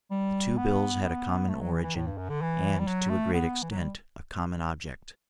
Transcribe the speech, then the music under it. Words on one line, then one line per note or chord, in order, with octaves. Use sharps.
The two bills had a common origin, and, to a great extent, a common object.
G3
B3
B3
A3
F#3
E3
E3
A2
G2
F#2
D3
E3
G3
F#3
A3
B3
E3
F#3
G3